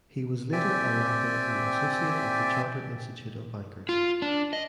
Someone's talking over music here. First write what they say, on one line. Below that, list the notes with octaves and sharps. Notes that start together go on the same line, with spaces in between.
He was later elected an Associate of the Chartered Institute of Bankers.
C4 G4 D5 E5 G5 G#5
F4
D4
D#5